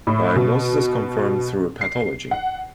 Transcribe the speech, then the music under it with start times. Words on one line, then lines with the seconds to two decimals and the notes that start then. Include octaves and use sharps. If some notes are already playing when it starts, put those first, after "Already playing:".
Diagnosis is confirmed through pathology.
0.07 A2
0.36 B2
1.81 C7
2.31 F#5